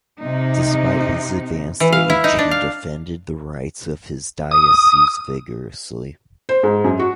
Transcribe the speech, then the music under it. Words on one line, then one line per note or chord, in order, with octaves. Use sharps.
Despite his advanced age, he defended the rights of his diocese vigorously.
C3 D#4
E3
F5
E4
D#4
D4
F5
D#6
C5
G#2
F#2
F#4